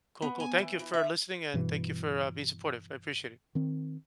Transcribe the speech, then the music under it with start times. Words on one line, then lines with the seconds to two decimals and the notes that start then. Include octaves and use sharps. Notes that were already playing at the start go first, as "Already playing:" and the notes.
Cool, cool, thank you for listening, and thank you for, uh, being supportive, I appreciate it.
0.22 B3
0.40 G#5
0.58 E3
0.79 E3
0.94 E5
1.54 G2 B2 E3
3.55 D#3 C4